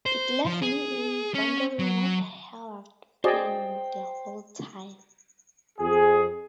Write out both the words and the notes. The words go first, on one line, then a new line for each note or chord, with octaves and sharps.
It left me wondering where the hell I'd been the whole time.
C5
F3
G#4
C#4
F#3
F#4 G#4 C5 D5 D#5 G5
F2 G#4